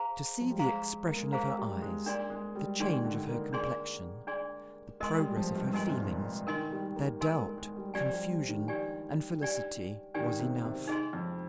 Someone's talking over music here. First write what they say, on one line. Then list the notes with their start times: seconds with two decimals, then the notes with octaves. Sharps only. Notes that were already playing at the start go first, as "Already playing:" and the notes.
To see the expression of her eyes, the change of her complexion, the progress of her feelings, their doubt, confusion, and felicity, was enough.
Already playing: G#4 C5 F5 A#5
0.41 F3
0.50 G3
0.59 G#3 G#4 C5 F5 A#5
1.08 A#3
1.16 G#3
1.24 A#3
1.33 G#3 G#4 C5 F5 A#5
1.57 G3
1.82 G#3
2.06 A#3 D4 G#4 D5 G#5 C6
2.30 G#3
2.55 G3
2.80 D#3 D4 G#4 D5 G#5 C6
3.04 D3
3.28 A#3
3.53 D4 G#4 D5 G#5 C6
4.27 D4 G#4 D5 G#5 C6
5.00 G#3 A#4 D#5 G#5 C6
5.19 G3
5.36 F3
5.55 G2
5.69 G2
5.73 G#2 A#4 D#5 G#5 C6
5.88 C3
5.98 A#2
6.47 D#3 A#4 D#5 G#5 C6
6.71 G3
6.96 A#3
7.20 A#3 A#4 D#5 G#5 C6
7.38 G#3
7.58 G#3
7.76 G3
7.94 F3 D4 G4 D5 G#5
8.13 G3
8.31 F3
8.49 D#3
8.68 D4 G4 D5 G#5
9.42 D4 G4 D5 G#5
10.14 D#3 D4 G4 D5 G#5
10.39 C3
10.64 C3
10.87 D#4 G#4 D#5 G#5 C6
11.13 F2